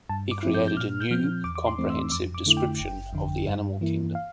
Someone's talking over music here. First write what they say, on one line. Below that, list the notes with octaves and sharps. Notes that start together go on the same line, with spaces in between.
He created a new, comprehensive description of the Animal Kingdom.
G2 A5
D6
F3 C4 E4
G6
G6
A#2 F6
G6
F3 C4 F6
E2 D6
D6
C6
E3 A3 C4
E6
F2 D6
D6
D3 A3 E4
G5
G1
F2 D3
G2
E3 A#3 E4
F5